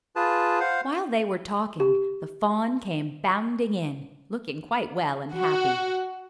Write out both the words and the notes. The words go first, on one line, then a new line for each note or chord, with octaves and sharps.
While they were talking, the fawn came bounding in, looking quite well and happy.
F4 G#4 B4 A5
C5 F5 F#5
G4
F#4